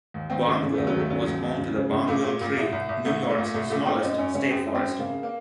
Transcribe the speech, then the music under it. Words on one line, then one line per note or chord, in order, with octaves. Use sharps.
Balmville was home to the Balmville Tree, New York's smallest state forest.
D#2
D#2 C4
C#3 A3
C#3
D#2 A3
F#3
D#2 A3
C#3 F#3
D#2
D#2
C#3
C#3
C#3
A#2 A3
A#2
A#2
C2
C2
C2
C2 A3
A#2
A3
A#2
C2 A3
A#2 A3
A#2 C4
F#2 D#4
F#2 C#4
C#3 C#4
F#2 C4
F#2
C4
F#2
C#3 A#3
A#3